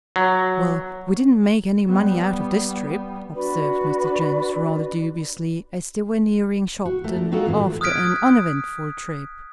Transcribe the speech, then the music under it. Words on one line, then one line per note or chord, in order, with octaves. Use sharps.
"Well, we didn't make any money out of this trip," observed Mr. Jenks, rather dubiously, as they were nearing Shopton, after an uneventful trip.
F#3
G3 B3
D4 F#4 B4 D5
F#4
A3 A#4 F#5
D4
G#3 D#4 F4 F#4 A4 A#4
A2 E3 C4
D#6 F6 F#6 G#6 B6 D7